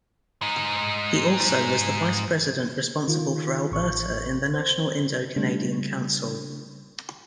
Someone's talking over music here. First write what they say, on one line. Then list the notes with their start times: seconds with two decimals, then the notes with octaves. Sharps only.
He also was the vice-president responsible for Alberta in the National Indo-Canadian Council.
0.42 G#2 D#4
3.08 D#3 F4
3.72 A1 C#6
4.54 C5
5.36 C#3 G3 A3 D4